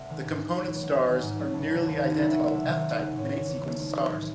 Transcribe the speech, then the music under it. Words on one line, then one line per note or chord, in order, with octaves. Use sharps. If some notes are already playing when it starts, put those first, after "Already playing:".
The component stars are nearly identical F-type main-sequence stars.
Already playing: C2 E5 F#5
C3 D#3 G#3
G#2
F#3 A3
C#2 C#5
C3 E3 A3
F#5
E2 G#5
D#3 G#3
G#2
F#3 A3
C#2 A5
C#3 F#3
D#2
D#3 F#3 F#5
C#2 E5
F#3 F#5
C3
E5
C2
C3 D#3
D#2
C#3 G#3
A2 C#5
G#3
E2
D#3 F#3 A3
C2 C5
C3 E3 G#3
A2